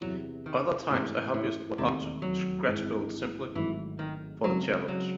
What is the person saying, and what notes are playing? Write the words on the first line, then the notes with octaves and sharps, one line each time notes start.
Other times a hobbyist will opt to scratchbuild simply for the challenge.
E2 C3 E3 F#3
D#3
G#2 C3 E3 A3 C#4
A2
E1 D#2 C3 D#3 A3 C4
F#3
G#1 G#2 E3 G#3 C4
G#1 G#2 D#3 E3 F#3 A3
D#3
C#3 F#3 G#3 C4
F#3